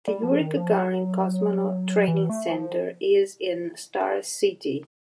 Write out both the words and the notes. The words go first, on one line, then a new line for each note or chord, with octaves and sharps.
The Yuri Gagarin Cosmonaut Training Center is in Star City.
G3
F3
D#3
F3
F#3
E3
A3
F3